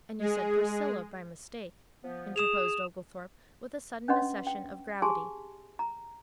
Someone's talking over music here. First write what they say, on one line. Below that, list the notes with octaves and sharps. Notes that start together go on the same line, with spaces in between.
"And you said Priscilla by mistake," interposed Oglethorpe, with a sudden accession of gravity.
G#3 G#4
F3 B3
G#4 D#6 E7 F7
C#4 D4 B4 D#5 F#5 C6
G5
G4 G#4 G#5 A5 C6
A#5